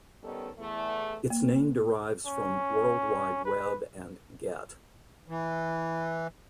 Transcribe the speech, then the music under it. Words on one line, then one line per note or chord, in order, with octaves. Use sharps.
Its name derives from "World Wide Web" and "get".
D#3 G3 B3 C#4 D#4 A4
E2 A3
A#3
C#4
B4
E3